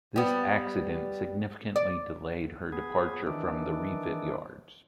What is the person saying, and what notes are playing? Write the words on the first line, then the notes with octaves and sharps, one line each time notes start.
This accident significantly delayed her departure from the refit yards.
G3 B3
D5
B3 G#4
D#3 E3 D4